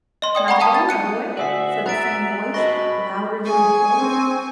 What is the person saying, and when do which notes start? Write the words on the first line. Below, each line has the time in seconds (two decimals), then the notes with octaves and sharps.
"Not at all, my boy," said the same voice, louder than before.
0.22 D#5 C6
0.35 D5 G5 D#6
0.48 F#5 G5 A#5 B5 C#6
0.60 F5 G5 A5 D#6
0.75 A6
0.89 F#6 C#7 D#7
1.37 D2 F#4 E5 G#5 D#6 C7
1.86 A#5 F#6 A6 D7
2.54 F#4 A#4 D#5 B5 C#6 A#6
3.45 G#4 G#5 C#6
3.94 C4